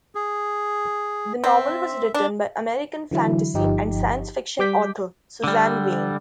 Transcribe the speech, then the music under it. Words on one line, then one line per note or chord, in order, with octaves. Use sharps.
The novel was written by American fantasy and science fiction author Suzanne Weyn.
G#4
C4 E5
D4
D3 E3 F#3 E4
G1 F3 D#4 G4
G3 D6 G6 B6
D3 G3